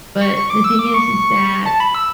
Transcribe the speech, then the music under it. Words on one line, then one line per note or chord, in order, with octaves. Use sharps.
but the thing is is that
C#6
C#6
D6
E6
D6
C#6
A5
B5
E6